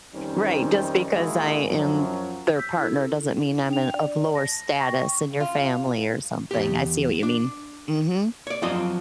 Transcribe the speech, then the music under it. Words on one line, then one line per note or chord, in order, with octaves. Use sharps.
Right, just because I am their partner doesn't mean I'm in of lower status in your family or something, I see what you mean. Mhm.
F2 D#3 G3 C4 C#4 D#4
A#2 D#3 G#3 A#3 E4 F#4
F#2 F3 F#3
E6 G6 B6
E4 A4
D4 G5 F7
D5
A5 A#6
G5 C#6 A#6
F4
E2 G4
D4
C#5 D5
F3 F#3 C4 D4 F4 D#5